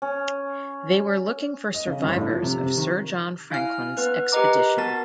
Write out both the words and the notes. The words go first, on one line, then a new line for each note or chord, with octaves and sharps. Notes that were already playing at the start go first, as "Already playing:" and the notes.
They were looking for survivors of Sir John Franklin's expedition.
C#4
D#5
C#3
G1
A2
F3
C3
C3
D#3
E4 F5 G#5 F6
B3 B4
G4 A#4 B4 D#5 A#5 D6
B3 F#4 A#4 A5 A6